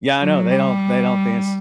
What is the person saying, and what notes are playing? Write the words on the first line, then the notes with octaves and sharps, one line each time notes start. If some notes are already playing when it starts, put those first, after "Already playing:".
Yeah. I know, they don't they don't the ins
F#3
G3